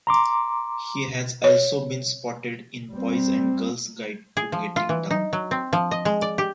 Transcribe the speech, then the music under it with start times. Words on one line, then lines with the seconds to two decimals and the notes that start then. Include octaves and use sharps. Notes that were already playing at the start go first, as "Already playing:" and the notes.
He has also been spotted in Boys and Girls Guide To Getting Down.
0.07 A#5 C6 D6
1.44 C#5
2.93 G3 C4
4.37 G#4
4.52 F3
4.76 F4
4.89 E3
5.11 D#4
5.33 F#3
5.51 C4
5.73 F3
5.91 D#5
6.05 G#3
6.22 D5
6.38 G4